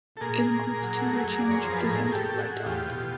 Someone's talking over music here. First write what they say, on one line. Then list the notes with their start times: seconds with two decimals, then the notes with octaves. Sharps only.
It includes two red geometric designs with white dots.
0.17 A4
0.21 A#2 G#4 A#4
0.42 A#2
0.62 A#2
0.82 F#3
1.03 A3
1.23 F#2
1.40 F#2 D5
1.51 C#5
1.62 F3 C5
1.73 B4
1.84 A2 G#4 A#4
2.05 A2 A#4
2.12 G4 A4
2.25 A2
2.38 F#4 G#4
2.46 A2
2.66 E2 F4 G4
2.86 B2